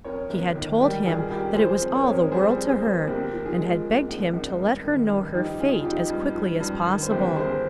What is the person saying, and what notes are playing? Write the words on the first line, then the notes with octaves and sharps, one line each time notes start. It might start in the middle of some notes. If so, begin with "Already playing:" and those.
She had told him that it was all the world to her, and had begged him to let her know her fate as quickly as possible.
F2 A#4 C#5
G1
D#3
G3 G4 A#4
G2 F4 G#4
G2 G4 A#4
F3 G#4 C5
F2
A#4 C#5
F2
G3 G#4 C5
F2
G#4 C5
A#3
G1 G4 A#4
F3
F4 G#4
G#3
A#3
G#1
G#1
G2
D#3
G2
F3 D#4 G4
C#3 F4 G#4
F4
F3 D#4 G4
G2
F3
G2
D#3
C5
G1 G4 A#4
G1 G#4 C5